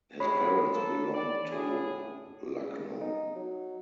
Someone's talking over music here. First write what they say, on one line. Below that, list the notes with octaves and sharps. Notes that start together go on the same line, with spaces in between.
His parents belonged to Lucknow.
G#2 C3 G#3 C#5 B5
A#3 A4
D5
A2 G#4
C#3
D#4
F#3